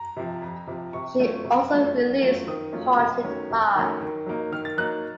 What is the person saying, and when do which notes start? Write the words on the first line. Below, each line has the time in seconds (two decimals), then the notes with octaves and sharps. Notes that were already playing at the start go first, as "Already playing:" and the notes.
She also released Haunted Heart.
Already playing: A#5
0.17 C3 F3
0.42 F2
0.67 C3 F3
0.93 C3 C#6
1.19 F#3 A3 C#4 F4
1.45 C3
1.71 F#3 A3 C#4 F4
1.96 D#3
2.22 F#3 A3 C#4 F4
2.47 D#3 D#6
2.73 F#3 A3 C#4 F4
2.98 C3
3.24 D#3 F#3 A3 C#4
3.50 C3
3.76 D#3 F#3 A3 C#4
4.01 D#3
4.26 F#3 A#3 D#4
4.52 D#3 F6
4.65 A6
4.77 F#3 A#3 D#4 F#6